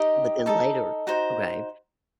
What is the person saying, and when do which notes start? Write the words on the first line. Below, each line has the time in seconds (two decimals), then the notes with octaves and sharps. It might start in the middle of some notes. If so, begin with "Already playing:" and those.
But then later, okay,
Already playing: D#4 G4 D#5
0.46 D#4 A4 D#5
1.07 D#4 F#4 C5